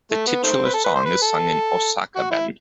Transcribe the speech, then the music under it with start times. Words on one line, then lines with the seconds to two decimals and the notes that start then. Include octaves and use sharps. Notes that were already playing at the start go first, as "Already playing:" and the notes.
The titular song is sung in Osaka-ben.
0.12 A3
0.27 B3
0.43 D#3 A3 C4
0.64 B4
0.74 A4
0.84 B4
0.95 C5
1.05 B4
1.22 A4
2.16 F#4
2.31 E4